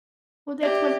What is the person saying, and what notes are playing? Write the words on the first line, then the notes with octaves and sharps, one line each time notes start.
Well, that's what
G4 D5 E5